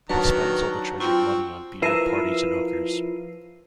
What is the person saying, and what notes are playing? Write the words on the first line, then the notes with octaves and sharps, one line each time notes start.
He spends all the treasured money on beer, parties and hookers.
D#3 F#3 D4 F#4 B4 A5 A#5
C4 F4 G5 C#6
F3 E4 A#4 B4 E5 C7 D#7